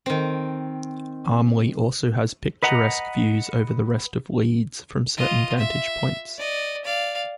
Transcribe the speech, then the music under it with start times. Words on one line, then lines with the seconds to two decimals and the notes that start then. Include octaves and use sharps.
Armley also has picturesque views over the rest of Leeds from certain vantage points.
0.06 D#3 C4
2.63 B4 D#5 F#5 A#5
5.16 F4 D#5
5.58 E5
6.37 D5 D#5
6.85 D5 F5